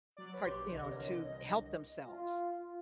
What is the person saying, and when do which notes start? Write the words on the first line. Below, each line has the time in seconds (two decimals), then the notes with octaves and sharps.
part you know, to help themselves.
0.17 F#3 D5
0.33 B4 C#5
0.45 A#1 G4 C6
0.71 C2 D3 D#5
0.91 E3 A#4 C#5
2.06 F4